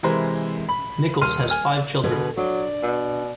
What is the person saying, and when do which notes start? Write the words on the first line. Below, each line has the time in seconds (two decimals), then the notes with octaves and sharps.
Nichols has five children.
0.03 C3 E3 G#3 A#4 C5
0.69 B5
1.21 D#1 C6 F6 D#7
1.50 G#5 F6
2.04 B2 D3 G#4 B4
2.37 F#3 D4 D5
2.83 B2